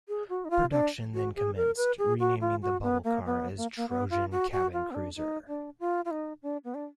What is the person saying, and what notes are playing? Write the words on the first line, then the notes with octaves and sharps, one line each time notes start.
Production then commenced, renaming the bubble car as "Trojan Cabin Cruiser".
G#4
F#4
D#4
F4
D4
F#4
G#4
A#4
B4
G#4
F#4
F4
F#4
B3
A#3
B3
A#3
A#3
B3
F4
F#4
F#4
F4
B3
D4
D#4
D4
F4
F4
D#4
D4
B3
D4